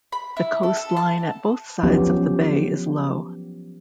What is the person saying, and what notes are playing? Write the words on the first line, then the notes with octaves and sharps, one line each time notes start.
The coastline at both sides of the bay is low.
B5
E4
A4
A4
A5
F3 F#3 B3 C#4 F#4 G4